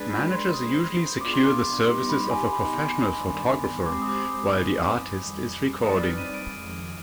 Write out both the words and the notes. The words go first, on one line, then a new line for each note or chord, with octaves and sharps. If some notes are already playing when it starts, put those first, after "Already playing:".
Managers usually secure the services of a professional photographer while the artist is recording.
Already playing: G#3 D4 G#4 B4 D5
B5
C6
G#3 D4 G#4 C5 D#6
B2 B3 D4 F4 G#4 D6
C6
D6
G3 B3 D#4 G4 C6
B5
G#5
B2 B3 D#4 G4 B5
G2 D#3 B3 D4
G#3 C4 G4 C5 D6
D#6
D6
D#6
G2 F3 C4 D#4 B4 D6
F2 D#3 G3
G3 C4 D#4 B4 D5 D#6
F6
D#7
D7
F2 D#3 G#3